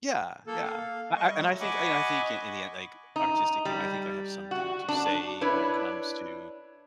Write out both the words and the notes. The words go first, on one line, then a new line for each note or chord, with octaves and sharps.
Yeah, yeah. I I and I think And I think in the end, like, artistically, I think I have something to say when it comes to,
A#3 A4
F5
G3 D#5 C#6
F#3 A3
D#5 F#5 G#5 B5 C#6 D6
D#4
G3
F#4
D4
D4 E4 B4 C#5